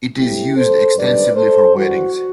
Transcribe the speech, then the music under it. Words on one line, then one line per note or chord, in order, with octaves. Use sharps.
It is used extensively for weddings.
B2 F#3 A3 C4 E4 G4
A4 C5
F#2 D3 G3 D4 B4 D5
A4 C5
F#2 E3 G3 F#4